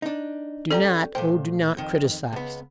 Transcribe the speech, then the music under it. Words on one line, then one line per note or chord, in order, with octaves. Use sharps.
Do not--oh, do not--criticise.
D4 D#4
C#4 G4 A4 D5 A#5
A#2 A3 C5 G5
F2 D#3
C#2 B3